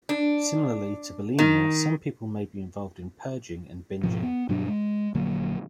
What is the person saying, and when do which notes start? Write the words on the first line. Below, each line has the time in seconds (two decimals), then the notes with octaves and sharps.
Similarly to bulimia some people may be involved in purging and binging.
0.09 D4
1.39 D#3
4.03 G#2 B2 F3
4.23 B3
4.49 G2 B2 F#3 D4
4.68 G#3
5.15 A#1 D3 F#3 A#3